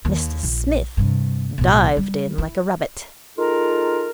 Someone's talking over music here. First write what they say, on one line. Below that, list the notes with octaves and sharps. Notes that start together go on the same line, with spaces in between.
Mr Smith dived in like a rabbit.
D#2 A#3
A#1
G2 C3
B1 A2
G3
E4
G#3 D#4 F4 A4 A#4